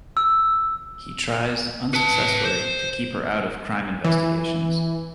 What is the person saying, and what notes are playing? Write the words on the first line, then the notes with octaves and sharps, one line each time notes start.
He tries, unsuccessfully, to keep her out of crime investigations.
E6
B4 A5
C5
E3